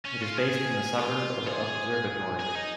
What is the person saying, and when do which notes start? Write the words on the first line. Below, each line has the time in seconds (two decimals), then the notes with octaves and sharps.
It is based in the suburb of Observatory.
0.06 C#4
0.22 F4
0.38 G#4
0.99 F4
1.47 G#4
2.39 G#4
2.55 D#4